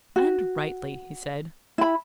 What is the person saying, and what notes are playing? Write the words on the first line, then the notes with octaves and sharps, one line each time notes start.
"And rightly," he said.
F#4
E4 B5